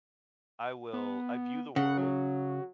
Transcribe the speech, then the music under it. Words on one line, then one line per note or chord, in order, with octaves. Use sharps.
I will, I view the world
B3
C#3 F#5
F#3